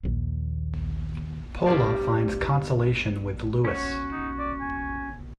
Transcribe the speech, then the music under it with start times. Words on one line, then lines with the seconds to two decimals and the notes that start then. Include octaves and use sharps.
Pola finds consolation with Louis.
0.03 A#1 D#2
1.66 G2 B2 G4 A#4 C5 D5
3.65 C#4 F#4 C#5
4.12 D#4
4.39 D5
4.61 G#5